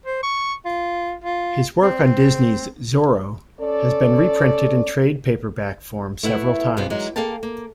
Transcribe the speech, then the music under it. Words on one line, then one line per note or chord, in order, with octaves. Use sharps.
His work on Disney's "Zorro" has been reprinted in trade paperback form several times.
C5
C#6
F4
F4
C4
C#4 A4 D5
A3 E4 B4 F#5
G2 B2 B3 C4 G#4 B4
E3 F#3 G#3 D#4
A#3 G#4 A4 F5 G5 A5
A#3